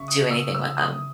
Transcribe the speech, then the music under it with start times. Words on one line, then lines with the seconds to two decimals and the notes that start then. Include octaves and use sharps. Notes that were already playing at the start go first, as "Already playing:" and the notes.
do anything with them.
Already playing: C#3 E5 C#6
0.08 D#6
0.31 E6
0.55 E6
0.78 D#6